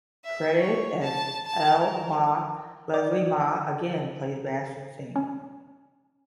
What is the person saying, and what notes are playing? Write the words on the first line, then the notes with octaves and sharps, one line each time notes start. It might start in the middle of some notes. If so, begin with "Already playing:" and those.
Credited as L. Mah, Leslie Mah again plays bass and sings.
E5
C#5
A5
A5
A#4
D5
C#4